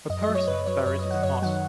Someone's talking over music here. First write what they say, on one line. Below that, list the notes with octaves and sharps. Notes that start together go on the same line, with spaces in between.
A person buried in moss.
F#2 D#5
D#5
F#3
C#5
F#2 B4
F#3 C#5
F#2 C#5
D#5
F#3
F#5
F#2 C#5
D#3 F#3 F#5